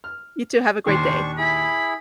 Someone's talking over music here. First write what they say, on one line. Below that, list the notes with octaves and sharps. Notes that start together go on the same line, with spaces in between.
You too, have a great day.
F6
D#2 A#2 D#3 D4 C5 C#6
E4 G#4 B5